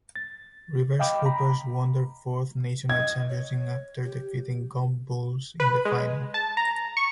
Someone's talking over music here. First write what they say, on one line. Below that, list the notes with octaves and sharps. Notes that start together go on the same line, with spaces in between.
Rivers Hoopers won their fourth national championship after defeating Gombe Bulls in the final.
A6
D#5 F5 G5 B5 D6
A#5 B5
D#5 G#6
C#5
G4
B4
G#3
A5
A#5
C#6